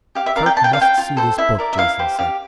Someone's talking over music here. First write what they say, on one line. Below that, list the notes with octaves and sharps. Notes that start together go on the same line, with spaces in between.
"Kerk must see this book," Jason said.
G4 F5
E5
A#4 D5 F5
G5
F4 A5
G5
F5
C5 G5
F4
A4 C5
E4 E5
A#4 D5
E5
E4 F5
G4 C5
G4 F5